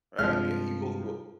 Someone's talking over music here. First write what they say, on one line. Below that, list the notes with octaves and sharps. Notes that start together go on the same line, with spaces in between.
right. Yeah, you go through it
G2 C3 F3 G#3 F6